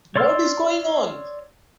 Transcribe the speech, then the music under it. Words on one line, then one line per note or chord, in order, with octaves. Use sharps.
What is going on?
C#5 D5 C6 E6 F6